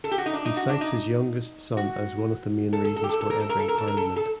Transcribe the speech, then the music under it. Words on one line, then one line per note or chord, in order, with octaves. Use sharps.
He cites his youngest son as one of the main reasons for entering Parliament.
A4
G4
F#4
D#4
D4
D#4
F#4
D4
D#4
F#4
A4
A4
A4
G4
A4
A4
A#4
A4
A#4
A4
A#4
A4
A#4
A4
A4